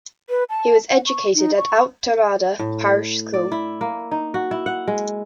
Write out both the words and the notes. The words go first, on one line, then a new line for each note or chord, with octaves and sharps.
He was educated at Auchterarder parish school.
B4
A5
F#5
C#6
D#4
C#6
A2
D5
E4
A#3
D#4
F#4
E4
F#5
G#3